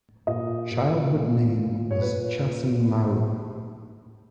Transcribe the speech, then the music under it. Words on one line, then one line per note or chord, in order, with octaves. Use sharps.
Childhood name was Chasen-maru.
A#2 D#5
A#2
A#2
A#2
C#5
A#2 B4
A#2